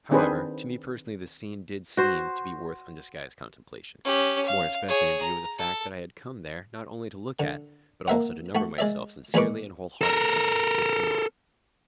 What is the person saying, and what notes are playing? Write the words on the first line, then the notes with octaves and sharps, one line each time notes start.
However, to me personally the scene DID seem to be worth undisguised contemplation--more especially in view of the fact that I had come there not only to look at, but also to number myself sincerely and wholeheartedly with, the mob.
D#3 C4 D4 G#4 B4 C5
F#4 C5
C#4 G4
F5
G#4 C#5
A#5
A4
D3
A#3 E5 F#5
A3 F#4
G#3 D5 E5
E2 A#2 G#3 B4 C#6 D6
A4 A#4